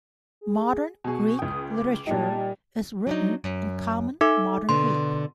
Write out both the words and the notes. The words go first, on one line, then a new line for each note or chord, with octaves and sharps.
Modern Greek literature is written in common Modern Greek.
G#4
B2 G#4 C#6
C#2 G5 D#6
D6
A#2 G3 D#4 A5
F#3 D4 D#4
F#2
D#4 A4 E5 D6
B2 D3 B3 C6